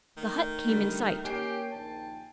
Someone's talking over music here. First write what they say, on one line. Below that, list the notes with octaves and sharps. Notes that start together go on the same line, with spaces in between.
The hut came in sight.
D#3 A3
D3 G3 A3
A#3 C#4 G4 C#5 G5 G#5 C7
A#1 D#2 D#3 A5